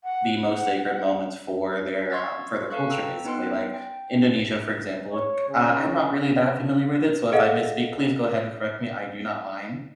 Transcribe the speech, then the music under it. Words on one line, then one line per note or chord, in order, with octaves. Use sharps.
the most sacred moments for their, um, for their culture basically. Like Indonesia, for example, uh, I'm not really that familiar with it, so if I misspeak, please go ahead and correct me, I do not mind.
F#5
C6 C#6 E6 F6 G#6 A6
A4 B4 F5 C#6 F#6
G5 A#5 E6
B3 D#4 B4 G5 C6 F#6
G5
C#5
C#3
G#4 A4 D#5 F5 F#5